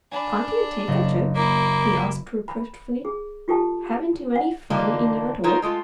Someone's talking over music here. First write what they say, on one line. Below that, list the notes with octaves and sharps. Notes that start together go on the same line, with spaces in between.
"Can't you take a joke?" he asked, reproachfully; "haven't you any fun in you at all?"
D4 G#5 B5
F#1 D#5
A#3 E4
B5
G#4
F4 G4 A4 A5
F#5
D3 E3 F3 A#3 D4 D#4
D#4 F4 A#4 C5 C#5
G#3 A3 F4 A4